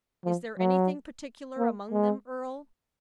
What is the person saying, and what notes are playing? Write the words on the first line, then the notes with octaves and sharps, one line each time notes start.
"Is there anything particular among them, Earle?"
F3
F#3
A#3
G#3